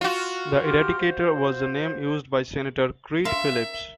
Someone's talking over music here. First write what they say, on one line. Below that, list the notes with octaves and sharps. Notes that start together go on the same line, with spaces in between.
The Eradicator was the name used by Senator Creed Phillips.
F4 F#4
G4 C6 F6
C5
A#4 E5 F5 C6